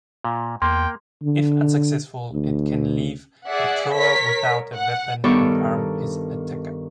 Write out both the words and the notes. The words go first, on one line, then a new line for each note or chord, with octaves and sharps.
If unsuccessful, it can leave the thrower without a weapon and arm his attacker.
A#2
E2 A#3 G5 C6
D3
D2
G#4 D5 E5 F#5
A#4 C#5 B6
F#5
G2 D#3 B3 A4 C#6 D6